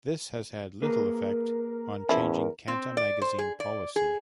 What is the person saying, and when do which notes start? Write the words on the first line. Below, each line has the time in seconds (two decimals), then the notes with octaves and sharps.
This has had little effect on changing Canta Magazine policy.
0.82 A#3 G#4 A#4 B4
2.09 E2 F3 C#4 E4
2.68 C4
2.97 D5
3.22 C5
3.39 G#4
3.60 D5
3.96 G#4